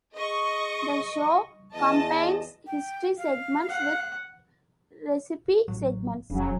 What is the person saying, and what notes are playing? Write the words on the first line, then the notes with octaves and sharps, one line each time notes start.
The show combines history segments with recipe segments.
G#4 D#5 C#6
E2 D#5 A5
G5
F5
F#5
A1 F#3
E1 F2 C#3 F#3